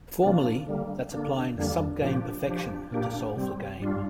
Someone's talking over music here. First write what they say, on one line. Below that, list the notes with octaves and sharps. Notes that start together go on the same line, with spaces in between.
Formally, that's applying subgame perfection to solve the game.
C3 F3 A#3 D4
D3 G3 A#3
D3 A#3 D4
F2 D3 G3 A#3 D4
A#2 F3 D4 G4
F3 D4 G4
A#2 A#3 D4 G4
C3 G3 C4
G2 G3 D4 F4